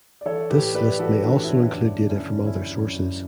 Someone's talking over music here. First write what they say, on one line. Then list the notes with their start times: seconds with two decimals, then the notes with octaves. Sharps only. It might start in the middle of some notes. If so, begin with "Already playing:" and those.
This list may also include data from other sources.
0.21 D5
0.26 E3 A4 C#5
0.50 A2 G4 B4
0.74 A2 B4 D5
0.99 E3 F#4 A4
1.23 E3 D4 F#4
1.44 E4
1.48 A2 D4
1.73 F#2 D4
1.97 D3
2.09 C#4 E4
2.21 D3
2.46 F#2 C#4 E4
2.71 F#2
2.96 F#2